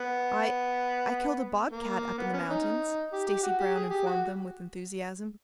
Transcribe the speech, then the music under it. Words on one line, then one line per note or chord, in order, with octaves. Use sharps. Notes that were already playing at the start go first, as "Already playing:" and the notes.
"I--I killed a bobcat up in the mountains," Stacy Brown informed them, with enthusiasm.
Already playing: B3
A#3
B3
C#4
D#4
G4
G4
F#4
G4
G#4
G4
F#4